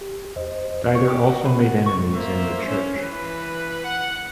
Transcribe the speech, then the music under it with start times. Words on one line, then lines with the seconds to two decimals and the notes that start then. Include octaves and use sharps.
Diether also made enemies in the church.
0.01 G4
0.36 E2 C5 D#5
0.95 C#5
1.08 G4
1.28 F#4
1.45 B4
1.60 F#5
1.86 C#6
2.15 A#3 C5 E5
2.65 C#4
3.01 E3 B4
3.83 F#5